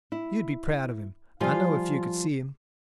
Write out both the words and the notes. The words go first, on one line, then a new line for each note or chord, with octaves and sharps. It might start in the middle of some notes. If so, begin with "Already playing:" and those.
You'd be proud of him, I know, if you could see him.
E4
F3 G3 F4 F5 G#5